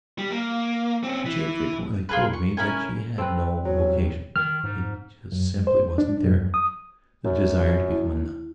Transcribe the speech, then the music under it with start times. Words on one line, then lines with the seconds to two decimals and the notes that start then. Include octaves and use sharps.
But she had frequently told me that she had no vocation; it just simply wasn't there--the desire to become a nun.
0.18 G3
0.31 A#3
1.04 C4 C#4
1.26 E3
2.09 F4 G#4 A#4 B4
2.33 C#6
2.57 C#4 E4 A#4 G#5
3.18 C4 A4 B4
3.65 E2 G2 F#3 C#5
4.36 D#3 F6
4.64 G#2
5.32 F#2
5.67 C5
5.98 D4
6.23 F#2
6.54 D#6
7.25 F#2
7.91 E4